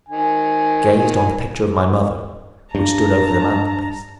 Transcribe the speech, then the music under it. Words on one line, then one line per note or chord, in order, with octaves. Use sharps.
I gazed on the picture of my mother, which stood over the mantel-piece.
D#3 G#5
G2 A5 A#5